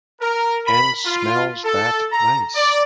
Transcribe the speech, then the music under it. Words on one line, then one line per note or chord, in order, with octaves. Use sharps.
And smells that nice!
A#4
B5
F4
A4
A#5
D5